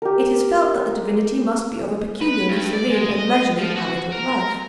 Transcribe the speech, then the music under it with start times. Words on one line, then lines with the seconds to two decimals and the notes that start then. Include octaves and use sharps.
It is felt that the divinity must be of a peculiarly serene and leisurely habit of life.
0.02 G4 A#4
2.21 B4
2.49 G2
2.73 D5
2.90 G#3
3.11 D#5
3.58 F3
3.76 F#4
4.12 A#4